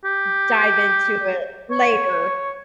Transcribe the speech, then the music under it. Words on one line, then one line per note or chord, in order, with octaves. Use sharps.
m dive into it later,
G4
C#5